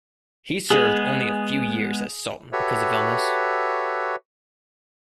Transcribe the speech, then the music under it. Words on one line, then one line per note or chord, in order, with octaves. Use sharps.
He served only a few years as sultan because of illness.
G#3 B3 G#4
F#4 G4 A4 B4 C#5 E5